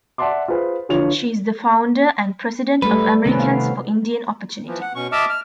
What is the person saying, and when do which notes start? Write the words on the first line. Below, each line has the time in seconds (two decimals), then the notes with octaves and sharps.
She is the founder and president of Americans for Indian Opportunity.
0.18 D5 E5 F#5 A5 C6 D6
0.48 F4 G#4 B4 C5
0.89 D3 E3 F3 F4 C#5 F7
2.82 G3 A3 A4 B4
3.25 C3 D#3 C4 C#4 B4
3.38 B3 F5
4.67 E3 F3
4.81 F#5
4.95 B2 C#4 C#6
5.12 D#5 E5 A5 D6 E6 F6
5.29 F6